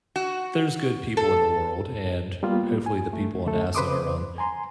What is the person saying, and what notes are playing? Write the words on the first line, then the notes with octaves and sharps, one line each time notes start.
There's good people in the world, and, hopefully the people on NASA are on
F#4
A4
G3 A#3 B3 F4
G#5
A3
D2 A3 A4
C#3 B4 C5 C6 D6 D#6
G#5 A#5 C6